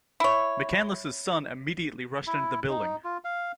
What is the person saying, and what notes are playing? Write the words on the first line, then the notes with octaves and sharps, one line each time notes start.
McCanles's son immediately rushed into the building.
E4 C#5
E4
D#4
F4
F5